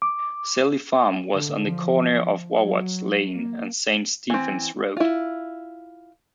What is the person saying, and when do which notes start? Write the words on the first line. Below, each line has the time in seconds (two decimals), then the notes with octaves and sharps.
Selly Farm was on the corner of Warwards Lane and Saint Stephen's Road.
0.02 D6
1.34 D3
1.66 F3
2.56 F#3
3.32 A#3
4.30 E3 C4
4.97 E4 F4